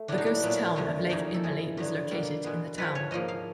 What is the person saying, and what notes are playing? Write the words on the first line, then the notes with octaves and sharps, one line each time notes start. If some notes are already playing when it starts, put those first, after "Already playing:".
The ghost town of Lake Emily was located in the town.
Already playing: A3
A2 F#3 B3 D4
D#4
D4
A#2 F#3 B3
F2 D3 F#3 A3
E2 C#3 F#3 A#3 D#4
A4
G#2 E3 G#3 G#4
G2 D3 F#3 B3
B2 G3 A#3
B2 G#3 B3
G#2 F3 G#3 B4
C#5
G#2 F3 A#3 D#5
F5